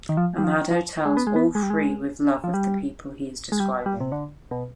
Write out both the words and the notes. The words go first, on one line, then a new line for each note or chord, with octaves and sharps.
Amado tells all three with love of the people he is describing.
D#3
F3
G3
F3
F3
G#3
B3
G#3
B3
G#3
G3
G#3
F3
G3
G#3
G3
G3
C3
D3
B2